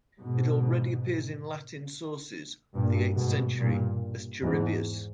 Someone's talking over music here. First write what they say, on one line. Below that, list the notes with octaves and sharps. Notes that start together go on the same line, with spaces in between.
It already appears in Latin sources of the eighth century as Charivius.
G#2 B2
G2 A#2
G#2 B2
G2 A#2
E2 G#2